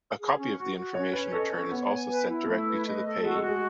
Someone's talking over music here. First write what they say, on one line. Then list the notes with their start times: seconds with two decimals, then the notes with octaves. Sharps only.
A copy of the information return is also sent directly to the payee.
0.19 G#4
0.38 C#4
0.57 F#4
0.76 F#4
0.95 C#4 C#5
1.13 C#4 B4
1.32 A4 D#5
1.51 C#4
1.71 B3 C#5
1.90 G#5
2.09 B4
2.27 E4
2.46 A3 E4
2.66 B4
2.86 D#5
3.04 A4
3.23 G#3 F#4
3.36 G#3
3.41 F#4
3.48 G#3